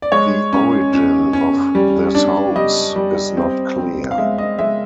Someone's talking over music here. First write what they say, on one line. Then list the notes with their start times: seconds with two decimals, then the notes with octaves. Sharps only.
The origin of this hoax is not clear.
0.02 D5
0.12 G#3 C#5
0.53 C#4
0.93 C#4
1.33 C#4
1.75 G3
2.15 D4
2.56 G3 D#5
2.96 G3
3.37 C4
3.78 C4
4.11 F5
4.18 G#3 E5
4.38 D#5
4.59 G#3 E5